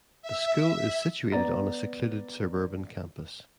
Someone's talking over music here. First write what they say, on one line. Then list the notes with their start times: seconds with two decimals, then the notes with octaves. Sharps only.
The school is situated on a secluded suburban campus.
0.22 E5
1.32 B3 D5 A#5 A6